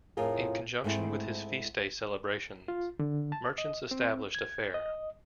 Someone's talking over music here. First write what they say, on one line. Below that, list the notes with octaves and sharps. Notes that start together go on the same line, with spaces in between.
In conjunction with his feast day celebrations, merchants established a fair.
F2 A2 F4 G#4 A#4
G#2 A3 C4 E4
F4
D3
A5
D#5
C4
G#6
D#5